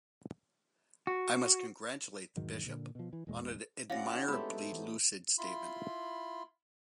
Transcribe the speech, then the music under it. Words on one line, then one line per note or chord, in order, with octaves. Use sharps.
I must congratulate the bishop on an admirably lucid statement.
F#4
E1 G#2 D#3 F#3
A#2 D3
B2 F3
E3
E1 A1 A#2 G#3
C4 C#4 E4 F#4 D5 F5 F#5 A#6
D#4 C#5
G#3 A3 B3 G4 C5 B5
E3
E4 F4 B5 C6